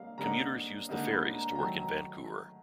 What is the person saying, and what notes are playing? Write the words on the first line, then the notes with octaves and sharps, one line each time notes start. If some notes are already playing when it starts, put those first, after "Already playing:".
Commuters used the ferries to work in Vancouver.
Already playing: D3 G3 A#3 D#4 F5
D3 G3 A#3 D#4 A#5
D3 G3 A#3 D#4
B5
A#5
A#5
D#3 F#3 A3 A5
A#5